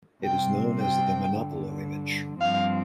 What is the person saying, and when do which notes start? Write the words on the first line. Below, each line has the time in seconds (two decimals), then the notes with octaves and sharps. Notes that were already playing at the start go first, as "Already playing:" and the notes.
It is known as the Manoppello Image.
0.24 C3 G3 C4 G5
0.78 G5
1.33 G2 D3 G3
2.40 G2 F3 C4 F5